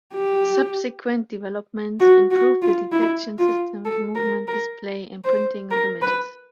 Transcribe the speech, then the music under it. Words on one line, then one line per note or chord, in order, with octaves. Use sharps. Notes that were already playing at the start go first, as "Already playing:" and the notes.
Subsequent developments improved the detection systems, movement, display and printing of images.
G4
F#4
F#4
F4
E4
F4
A4
A#4
A#4
C5
A#4
B4